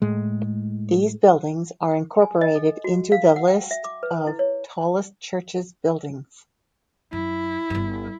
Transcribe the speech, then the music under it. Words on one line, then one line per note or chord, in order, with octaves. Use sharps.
These buildings are incorporated into the list of tallest churches buildings.
A2 G#3
G#5
D#5
A4
F#4
F5
F#5
G5
E5
D6
B4
E4
C#5
F#2 E4
G1 G2